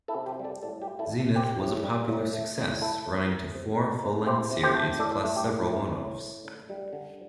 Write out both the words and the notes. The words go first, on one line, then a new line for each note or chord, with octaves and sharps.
"Zenith" was a popular success, running to four full-length series plus several one-offs.
E4 A4
C3
G4 C5
G3
A4 D5
A2 A4 D5
G4
G3
E4 A4
E4
C4 G4
A2
G3
A2
A3
A2
E4 A4
A2
A3
C3
A3
C3
E4 G4 C5
C3
G4 C5
A3
A2 A4 D5
A3
G4
A2
E4
A2
A3
D3
G3
D3